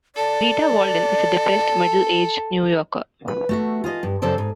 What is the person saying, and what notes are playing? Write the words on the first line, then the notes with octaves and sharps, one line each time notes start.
Rita Walden is a depressed middle-aged New Yorker.
A4 D5
B4
A3 F#4 E5
F4 G#4 C5 D#5
G2
F#2 C#3 A4 C5 D5
G#2